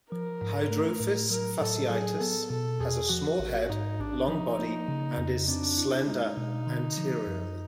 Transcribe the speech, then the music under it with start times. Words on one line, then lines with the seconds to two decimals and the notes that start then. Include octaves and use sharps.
Hydrophis fasciatus has a small head, long body and is slender anteriorly.
0.11 F3 A#4
0.42 G#2
0.71 A3
1.00 A2
1.30 F#3 A#4
1.60 A2 A4
1.90 F#3 G#4
2.20 B3 A4
2.50 B2 A4
2.80 E2 G#4
3.09 F3 F#4
3.39 A1
3.69 G#2 D#4
3.99 A1 D4
4.28 F3 D#4
4.59 A#3
4.88 C#3
5.18 F2
5.47 C4 D4
5.78 E4
6.07 G#3 D#4
6.37 B2
6.67 D3
6.98 F3
7.27 F#2